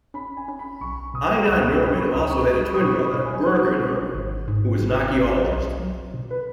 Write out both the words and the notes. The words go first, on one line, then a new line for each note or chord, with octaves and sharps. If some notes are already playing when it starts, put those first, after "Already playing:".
Einar Nerman also had a twin brother, Birger Nerman, who was an archeologist.
C#4 B5
G#5
C#4
B5
B1 C#6
B2 D#6
C#2
B5
C#4 B5
C#6
C#2 D#6
C#6
C#2
B5
D#6
B2 C#6
B5
B2
G#5
D#4 F#5
B2
G#1
G#2
G#1
G#1
B1 D#5
F#3
B2
B4